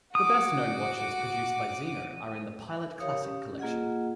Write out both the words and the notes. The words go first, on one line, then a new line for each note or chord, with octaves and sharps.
The best known watches produced by Zeno are in the "Pilot Classic" collection.
F#4 D6 D#6
G4 A#4 C#5 F5 D#6
C#4 G4
A#3 F4 G#4 D#5 F#5